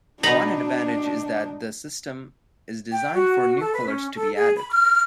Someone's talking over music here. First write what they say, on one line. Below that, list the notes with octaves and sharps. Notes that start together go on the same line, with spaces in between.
One advantage is that the system is designed for new colors to be added.
B2 D4 D#4 A#5 B5
G5
F#4
A4
B4
C#4
A4
G#4
B5
F6